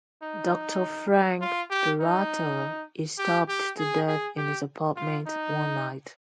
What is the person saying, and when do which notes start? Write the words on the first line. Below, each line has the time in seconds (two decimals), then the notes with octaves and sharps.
Doctor Frank Peralta is stabbed to death in his apartment one night.
0.23 D#4
1.41 F4
1.70 G4
2.00 D#4
3.18 G4
3.49 G4
3.78 G#4
4.07 G#4
4.37 G4
4.97 F4
5.26 D#4